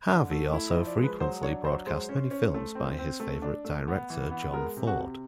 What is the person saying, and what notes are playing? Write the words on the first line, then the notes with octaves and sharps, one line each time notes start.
Harvey also frequently broadcast many films by his favorite director John Ford.
D3
A3
E4
D#5
F3
D5
G#3
B4
F#3 C5
D4 C#5
F#3 C5
G#3 C5
C#4
C#4
A3
C4
C4
A3
D4
A3
B3
E3
B3
G#3 A#4
C3
F#4
C3